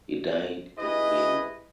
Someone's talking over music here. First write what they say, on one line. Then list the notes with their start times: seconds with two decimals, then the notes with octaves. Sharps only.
He died in Weimar.
0.79 E4 G4 G#4 B4 D#5